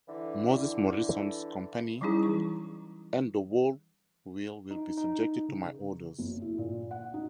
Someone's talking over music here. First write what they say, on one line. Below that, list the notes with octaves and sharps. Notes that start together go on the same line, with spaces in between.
Moses Morrison’s Company and the whole will be subject to my orders.
D3 E3
F#3 G3 C#4 D#4 E4 G#4
E3 C#6
D#4
D#4
C#3
F#1
E4
A#2
F#5
D#4